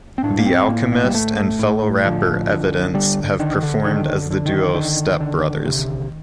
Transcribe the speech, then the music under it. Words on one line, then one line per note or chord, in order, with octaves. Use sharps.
The Alchemist and fellow rapper Evidence have performed as the duo Step Brothers.
C4
A2 D4
A#3
C4
A2 A#3
A#3
G3
A2 A3
A2
D3 F3
D3
D3 G3
D3 D#3
D3
D3 D#3
D3
D#3
D3 D#3
D3
C3